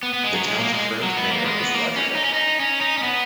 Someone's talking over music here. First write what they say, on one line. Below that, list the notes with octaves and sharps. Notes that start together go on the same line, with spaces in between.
The town's current mayor is Roger Bennett.
B3
B3
G#3
F#3
G#3
A#3
G#3
F#3
B3
A#3
G#3
B3
A#3
C#4
D#4
C#4
D#4
C#4
D#4
C#4
B3